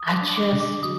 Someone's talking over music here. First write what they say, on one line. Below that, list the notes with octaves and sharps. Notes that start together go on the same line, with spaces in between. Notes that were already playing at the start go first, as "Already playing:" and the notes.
I just,
Already playing: D#6
D6
D4
D6
D3
D6
F#3 D#6